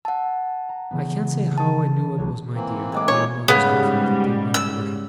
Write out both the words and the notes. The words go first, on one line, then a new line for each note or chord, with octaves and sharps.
I can't say how I knew it was my dear, dear mother's coffin that they went to look at.
F#5 A5 E6 A6
A#5
C#3 E3 B3
A5
C#2 F#3 C#5
E3 A#3 C4
A2 G#3 D6
C#5
G#2 C#3 G3 B3
E6